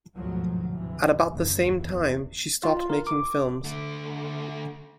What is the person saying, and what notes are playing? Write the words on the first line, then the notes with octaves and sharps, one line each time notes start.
At about the same time, she stopped making films.
G1 D2 G#2 B2 F3 F#3
D2 G#2 C3 E3
F#1 D#2 C#3
E2 E3
F4
A#4
D6
D3 A3